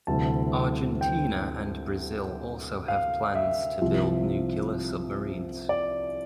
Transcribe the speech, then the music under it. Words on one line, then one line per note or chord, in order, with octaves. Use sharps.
Argentina and Brazil also have plans to build nuclear submarines.
D2 C3 E3 G3 A5
G5
F5
E5
C2 C3 F3
D5